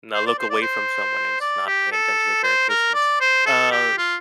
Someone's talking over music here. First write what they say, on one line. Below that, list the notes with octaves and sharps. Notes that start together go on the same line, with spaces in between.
not look away from someone and just not paying attention to their existence. Uh,
C5
D5
C5
D5
C5
D5
G4
A4
C5
A#4
D5
C5
A4
G4
F4